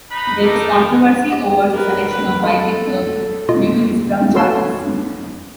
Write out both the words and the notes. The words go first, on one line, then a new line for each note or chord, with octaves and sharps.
There was controversy over the selection of Michael Irvin due to his drug charges.
D#4 B4 B5
D4 D#4 G4 A4 A#4
G4 D#5
A#4 B4
B4
G#3 A4
B2 F4 D#5
F#4 A4 B4 C#5 C6 E6